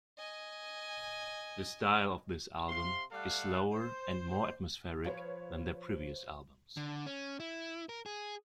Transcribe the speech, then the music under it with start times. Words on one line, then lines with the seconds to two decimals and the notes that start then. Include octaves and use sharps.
The style of this album is slower and more atmospheric than their previous albums.
0.17 D#5 G#5
2.68 C3 F5 C6
3.11 G3 A3 A4 F5 F#5
3.72 C5
5.04 F3 B4 C#5 F5
6.77 D3
7.06 C#4
7.40 E4
7.89 A#4
8.06 G#4